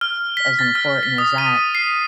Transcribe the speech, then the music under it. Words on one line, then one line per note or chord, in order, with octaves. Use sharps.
as important as that.
F6
B6
A6
F6
B6
D#6
D#7
C7